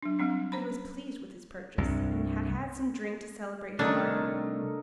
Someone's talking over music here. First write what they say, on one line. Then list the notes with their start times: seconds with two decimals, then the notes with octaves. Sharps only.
He was pleased with his purchase, and had had some drink to celebrate his bargain.
0.03 F#3 D4
0.19 F#3 G3 C4 D4
0.52 C#4 C5 A#5 B5
1.78 C2 G2
3.79 C2 D#3 A3 C#4 D4 A4 A#4 D#5